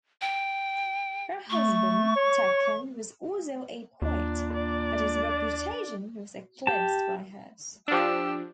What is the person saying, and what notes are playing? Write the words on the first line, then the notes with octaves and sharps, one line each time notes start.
Her husband Tekkan was also a poet, but his reputation was eclipsed by hers.
G5
A3 C#6
C#5
D#2 A#2 D4
D4 D5
G4 A5
F3 D4 G4 E6